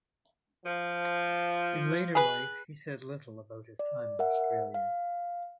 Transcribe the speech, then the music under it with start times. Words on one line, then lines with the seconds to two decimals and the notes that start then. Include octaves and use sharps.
In later life he said little about his time in Australia.
0.65 F3
2.15 G#4 B4
3.79 D5
4.19 A#4 E5 F#5
4.74 F5